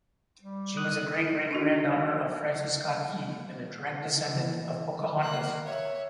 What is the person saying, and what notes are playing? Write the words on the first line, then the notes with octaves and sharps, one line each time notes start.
She was a great-great-granddaughter of Francis Scott Key and a direct descendant of Pocahontas.
G3
D#6 F#6
D4 D#4 F#4
E3
A#3 F#6
C#5 E5